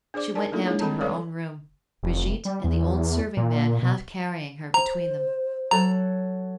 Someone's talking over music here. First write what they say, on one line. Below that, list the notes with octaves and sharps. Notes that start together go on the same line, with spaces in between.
She went down to her own room, Brigitte and the old serving-man half carrying her between them.
D4 G#4 C5 D5 D6
D#4 G#4 A#4 D5 G#5 A5
A3 A#3 D4 D#4 F4 A4
G#3 D4 E4 G#4 C#5
D#3 G3 C4 A4 A5 A#5
G3 A4 B4 C#5 D5 F5
F1
G3
E2
A#2
B2
C5 A#5
F#3 A4 A#5 F#6